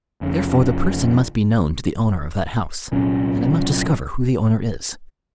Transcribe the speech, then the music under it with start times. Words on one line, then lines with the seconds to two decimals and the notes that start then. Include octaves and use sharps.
Therefore, the person must be known to the owner of that house, and I must discover who the owner is.
0.21 F1 F2 C#3
2.92 C2 A#2 F#3 C#4